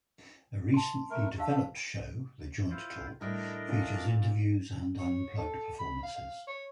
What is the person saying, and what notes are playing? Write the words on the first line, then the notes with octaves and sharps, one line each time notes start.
A recently developed show "The Joint Talk", features interviews and unplugged performances.
A5 C6
A3 A#4
D4 G4 E5 F5 A5
E4 F4 C5
A2 G3 D4 E4 A#4 D#5
A#2
C#5
A4
B5
F5
F5
C#5